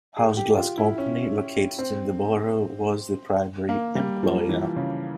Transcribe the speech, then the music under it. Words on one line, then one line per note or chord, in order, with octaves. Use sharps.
Houze Glass Company, located in the borough, was the primary employer.
G#4
G4
F4
E4
C#4
C4
A#3
G3
F3
E3
C#3